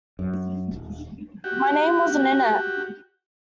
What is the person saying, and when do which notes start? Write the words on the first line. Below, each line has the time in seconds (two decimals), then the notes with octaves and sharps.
My name wasn't in it.
0.19 F#2
0.71 D#1
1.44 F#4 G4